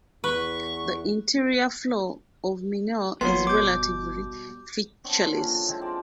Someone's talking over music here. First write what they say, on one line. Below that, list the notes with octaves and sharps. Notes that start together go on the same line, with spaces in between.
The interior floor of Mineur is relatively featureless.
E2 B4 C#6
G1 F#3 A#3 B3 C#5 C6
B2 G3 D6 G6
B3 C4 D4 C#5
A#2 A4
E3 G3 C#4 D4
F3 G#3 C4
C4 A#4 D5 A5